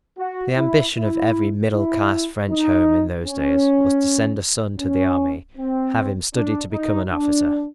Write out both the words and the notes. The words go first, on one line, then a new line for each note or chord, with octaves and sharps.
The ambition of every middle-class French home, in those days, was to send a son to the army--have him study to become an officer.
F#4
E4
E4
E4
D#4
C#4
C#4
C4
D4
D#4
D4